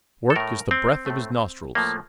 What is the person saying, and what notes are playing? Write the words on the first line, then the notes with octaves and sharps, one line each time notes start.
Work is the breath of his nostrils.
A4
A2 A3 A#4
C4
A2 A3
A2 F3 A3 A#3